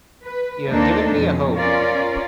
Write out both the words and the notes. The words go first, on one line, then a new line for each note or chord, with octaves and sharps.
You have given me a hope.
B4
D#2 A#3 C4 D4 D#4 A4
F2 B2 C#4
C#4 F4 A#4 D5